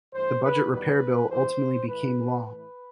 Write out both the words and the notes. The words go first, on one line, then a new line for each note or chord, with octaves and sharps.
The budget repair bill ultimately became law.
G2 E3 A3 C5
B4
E2 D#3 G3 B3 B4
G2 E3 B3 C5
A2 E3 A3 B4
A2 E3 A3 B4